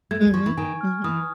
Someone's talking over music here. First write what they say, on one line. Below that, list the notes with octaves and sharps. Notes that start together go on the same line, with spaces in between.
Mhm, mhm.
A3 G#6
G#3
F3 C#6
E3
D#3 G#5
F6
E3 D#6